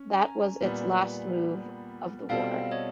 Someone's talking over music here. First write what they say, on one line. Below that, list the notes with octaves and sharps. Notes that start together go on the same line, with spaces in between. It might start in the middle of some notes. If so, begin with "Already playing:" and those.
That was its last move of the war.
Already playing: C#4
G#5 A#5
A#2 G3 B3
B2 G3 C4 F4 A4 F5 G5
C#5 D#5